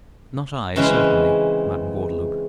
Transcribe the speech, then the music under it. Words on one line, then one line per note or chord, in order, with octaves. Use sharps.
"Not I, certainly, Madam Gordeloup."
C#3 E3 G#3 C4 C#4 B4